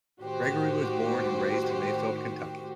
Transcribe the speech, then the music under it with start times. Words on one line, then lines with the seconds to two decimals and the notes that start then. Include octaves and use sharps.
Gregory was born and raised in Mayfield, Kentucky.
0.20 A2 D#3 F#4 G4 C5